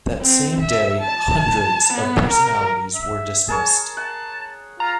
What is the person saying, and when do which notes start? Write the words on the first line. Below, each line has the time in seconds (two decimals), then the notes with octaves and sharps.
That same day, hundreds of personalities were dismissed.
0.20 C4
0.61 E5
1.01 A5
1.93 B3
2.30 A#4
2.95 E5
3.48 G#4 A#4 C#5 A5
3.97 F#5 A5
4.80 F4 A#5